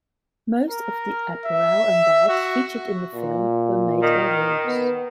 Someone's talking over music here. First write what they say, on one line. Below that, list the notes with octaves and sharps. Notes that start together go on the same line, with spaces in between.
Most of the apparel and bags featured in the film were made by Roots.
A#4
E5
F#4
A#2
D#3
B3